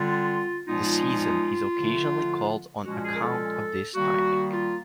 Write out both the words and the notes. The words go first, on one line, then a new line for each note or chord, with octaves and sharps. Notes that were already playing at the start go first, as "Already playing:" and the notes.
The season is occasionally called on account of this timing.
Already playing: D3 G3 C4 F4
A#2 F3 G#3 B3 D#4 F4
D3 F3 A3
A#2 F3 G#3 C#4 F#4
G#4
A#4
A4
D#3 G3 A#3 F#4
F4